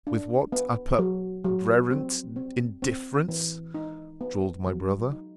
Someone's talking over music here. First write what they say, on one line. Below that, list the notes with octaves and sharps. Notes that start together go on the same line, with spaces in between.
With what appa--rent indifference, drawled my brother.
D4
B3
F#3
F#3
C4
C4
C4
E3
D#4
B3
F#3
D#4